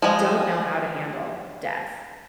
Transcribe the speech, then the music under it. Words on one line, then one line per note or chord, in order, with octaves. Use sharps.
don't know how to handle death
F3 G3 G#3